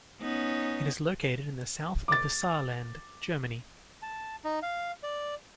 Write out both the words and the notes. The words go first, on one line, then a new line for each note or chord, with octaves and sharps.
It is located in the south of the Saarland, Germany.
B3 C#4 D#4
D6 A6
A5
D#4
F5
D5